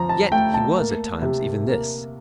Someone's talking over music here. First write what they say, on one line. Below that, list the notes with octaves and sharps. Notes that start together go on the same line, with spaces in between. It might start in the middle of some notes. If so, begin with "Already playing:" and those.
Yet he was at times even this.
Already playing: F3 A#5
A5
A3 G5
A5
A#3
C3
A#3